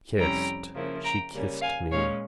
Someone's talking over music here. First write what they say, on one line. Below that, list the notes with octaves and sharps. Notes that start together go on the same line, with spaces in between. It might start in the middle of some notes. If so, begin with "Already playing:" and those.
Kissed, she kissed me.
F2 C3 G3 C#4 E4 G5 A#5
C#3 F3 A#3 E4
G5 A#5
C#3 G3 A#3 C#4
F5 G#5
A#2 G#3 C#4 C#5 F5